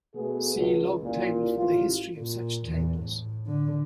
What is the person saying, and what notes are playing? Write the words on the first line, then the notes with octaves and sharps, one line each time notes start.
See log table for the history of such tables.
B2 A3 B3 G#4
C#2
A1 A#2
A1 F4
A#2
E2
A2
D3